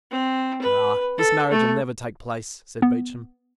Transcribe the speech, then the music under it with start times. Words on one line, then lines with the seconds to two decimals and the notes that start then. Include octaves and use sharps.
"Ah, this marriage will never take place," said Beauchamp.
0.11 C4
0.62 B4
1.18 A4
1.51 A3
2.82 B3